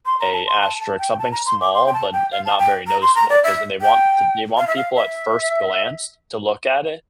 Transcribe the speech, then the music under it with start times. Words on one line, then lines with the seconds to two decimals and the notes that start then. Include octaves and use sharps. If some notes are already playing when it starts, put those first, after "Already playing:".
a asterisk, something small but and not very noticeable 'cause then they want th they want people at first glance to look at it
0.06 C6
0.20 A#5
0.33 A5
0.47 C6
0.61 A5
0.80 A5
0.99 G5
1.13 G5
1.19 A5
1.32 A#5
1.46 C6
1.61 D6
1.74 C6
1.86 G5
1.94 A5
2.13 G5
2.32 F5
2.45 A5
2.59 G5
2.87 A#5
3.02 C6
3.15 A#5
3.30 D5
3.44 E5
3.81 G5
4.58 F5
4.67 E5
4.76 F5
4.96 E5